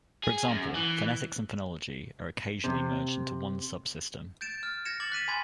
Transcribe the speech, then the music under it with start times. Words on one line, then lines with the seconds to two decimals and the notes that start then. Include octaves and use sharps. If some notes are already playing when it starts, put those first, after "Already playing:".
For example, phonetics and phonology are occasionally merged into one subsystem.
0.23 G#4
0.49 F#2
0.75 E3
2.64 C3
4.41 G6 A6 D7 E7
4.63 F6
4.85 G#6 A#6 C#7 E7
5.00 D6 A6 F#7
5.12 F#6 B6 D#7 E7
5.28 G#5 B5 C6 D6 G#6